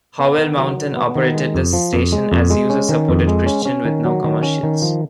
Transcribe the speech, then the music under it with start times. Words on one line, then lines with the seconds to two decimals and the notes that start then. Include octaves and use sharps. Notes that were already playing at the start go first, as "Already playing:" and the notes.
Howell Mountain operated the station as "user supported Christian" with no commercials.
0.19 B3
0.38 D#3
0.57 F#3
0.77 D#3
0.96 B3
1.15 D#3
1.35 G#3
1.54 F2
1.73 F3
1.93 F2
2.12 G#3
2.32 F2
2.50 G#3
2.70 C#4
2.89 D#3
3.09 F2
3.28 G#3
3.46 C#4
3.65 C#4
3.85 D#3
4.05 F#3
4.24 D#3
4.43 C#4
4.63 D#3
4.82 F3